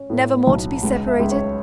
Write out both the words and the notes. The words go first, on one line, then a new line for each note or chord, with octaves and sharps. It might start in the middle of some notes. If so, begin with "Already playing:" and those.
"Never more to be separated?"
Already playing: C#4
A2
B1
C#2
E5
C#2
C#5